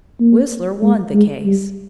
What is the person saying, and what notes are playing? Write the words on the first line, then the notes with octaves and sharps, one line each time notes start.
Whistler won the case.
A#3
G#3
G#3
G3